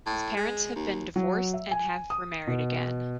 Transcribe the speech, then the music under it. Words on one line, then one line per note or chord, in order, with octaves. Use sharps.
His parents have been divorced and have remarried again.
A2
G#3
D#2
F#3
E5
G#5
D#6
B2